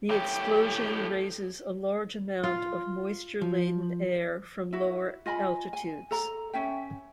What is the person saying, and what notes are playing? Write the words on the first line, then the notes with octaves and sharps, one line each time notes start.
The explosion raises a large amount of moisture-laden air from lower altitudes.
A2 G4
F4
F3
E4 F#4
F4 D#5 G#5 B5
G#5
A4 A#5
C#4 E5 G5